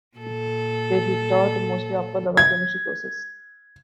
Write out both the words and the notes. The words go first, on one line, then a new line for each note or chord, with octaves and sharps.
There, he taught mostly upper level chemistry courses.
A#2 A4
G#6